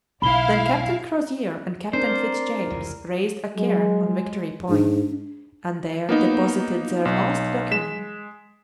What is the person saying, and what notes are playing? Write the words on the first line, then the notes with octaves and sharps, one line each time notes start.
Then Captain Crozier and Captain Fitz-James raised a cairn on Victory Point, and there deposited their last document.
B1 E4 F5 B5 G7
C4 D4 A#4 C5 D5
F1 C#2 E3
F#3 G#3
G#2 D4
A#3 B3 D#4
B1
G#3 B6 E7